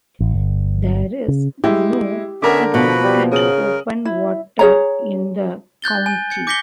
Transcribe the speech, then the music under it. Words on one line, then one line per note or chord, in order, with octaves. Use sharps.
There is no significant open water in the county.
A1
G1
C#3
G#3 E4 G4
D3 B3 C#4 A#4 E5 D6
B2 F3 F#4 B4 B5
G3
C#3 A#4 D#6 F#7
E4
G#4 C#5 A#5
F#6 G6 A6 G7
G#5
G#6 C#7
D6 G6 A#6 B6 C#7 G7